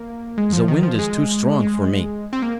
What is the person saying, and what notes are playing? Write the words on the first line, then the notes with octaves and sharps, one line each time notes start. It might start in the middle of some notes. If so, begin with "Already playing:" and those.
"Ze wind is too strong for me!"
Already playing: A#3
G#3
F3
D#3
F3
G#3
G#3
C4
A#3